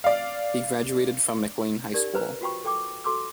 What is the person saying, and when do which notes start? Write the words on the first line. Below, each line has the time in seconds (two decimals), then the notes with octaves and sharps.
He graduated from McLane High School.
0.04 D5 F5
1.94 D#4 G4 A#4 D5
2.15 B4 C5 A#5 E6
2.41 F4 F#4 G5 B5 C#6
2.64 A4 G5 D6
3.04 F#4 A4 C6 D6 E6